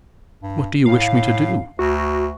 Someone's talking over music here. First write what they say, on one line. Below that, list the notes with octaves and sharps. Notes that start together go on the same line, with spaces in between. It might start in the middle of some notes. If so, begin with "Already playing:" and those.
"What do you wish me to do?"
G2
A2 F5
D2 F#4